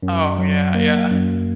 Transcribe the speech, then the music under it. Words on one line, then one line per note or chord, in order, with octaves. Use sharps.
Oh, yeah yeah.
F#2
F#3
A#3
F#2